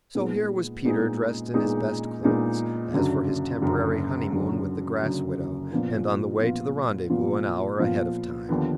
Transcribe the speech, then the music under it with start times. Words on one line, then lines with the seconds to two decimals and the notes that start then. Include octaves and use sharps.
So here was Peter dressed in his best clothes, as for his temporary honeymoon with the grass widow, and on the way to the rendezvous an hour ahead of time.
0.15 A#2 G#3 B3 D#4 G#4
0.85 A#2 G#3 B3 D#4 G#4
1.53 A#2 G#3 B3 D#4 G#4
2.23 A#2 G#3 B3 D#4 G#4
2.93 F#1 F#2 D3 F#3
3.62 F#1 F#2 D3 F#3
4.32 F#1 F#2 D3 F#3
5.01 F#1 F#2 D3 F#3
5.71 A#2 F3 B3 F4
6.40 A#2 F3 B3 F4
7.10 A#2 F3 B3 F4
7.79 A#2 F3 B3 F4
8.49 D#2 D3 F3 B3